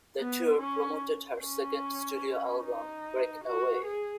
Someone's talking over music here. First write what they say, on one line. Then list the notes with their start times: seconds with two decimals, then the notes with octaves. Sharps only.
The tour promoted her second studio album, "Breakaway".
0.20 B3
0.60 C#4
1.41 C#4
2.64 D#4
3.45 F#4
3.85 G#4